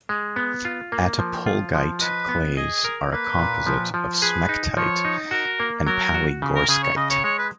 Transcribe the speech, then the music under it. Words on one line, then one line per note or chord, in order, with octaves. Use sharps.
Attapulgite clays are a composite of smectite and palygorskite.
G#3
B3
F4
A#3
F3
F4
F3
B4 D#5
B3
G#4 D#5
A#4
A#3 B4
A#2
F3
F3
G#4 B4
D#4
F3 C#5
D#4
F#4 A#4
A#3
F#3 A#4
F#4
C#3
A#4
C#3 G#4
C#5
C#3 D#5
C#5
G#3 C#5
B4